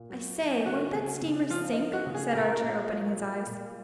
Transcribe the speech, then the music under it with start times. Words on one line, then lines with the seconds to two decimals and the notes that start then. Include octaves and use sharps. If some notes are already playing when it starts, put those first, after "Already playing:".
"I say, won't that steamer sink?" said Archer, opening his eyes.
Already playing: A#2
0.10 F#3
0.38 F#3
0.66 C#3 F#4
0.95 C#3
1.22 C#3
1.50 F3 F4
1.72 D#4
1.79 F3
1.93 F#4
2.06 C#3
2.15 G#4
2.35 A#2 A#4
2.64 A#2
2.91 F#3
3.19 A#2
3.47 A#2